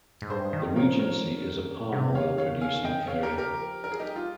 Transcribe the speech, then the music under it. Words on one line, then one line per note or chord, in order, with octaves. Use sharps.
The regency is a palm oil producing area.
G#2
G2 G#4 C5
D#3
F3 A#4 C#5
A#4 C#5
D#3
C3
C#3 C#5 F5
D#3
C#3
D#3 C#5 F5
C#3
D#3 F5 G#5
C#3
D#3
C#3 D#5 G5
D#3
C#3 C#5 F5
G4 A#4
G4 A#4
F3
A#4
G#4
G3 D#4 G4
F4